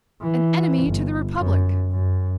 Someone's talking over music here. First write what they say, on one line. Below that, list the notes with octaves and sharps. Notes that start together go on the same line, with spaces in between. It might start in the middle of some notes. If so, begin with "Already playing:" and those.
"An enemy to the Republic!"
E3
G1
F#2
F#2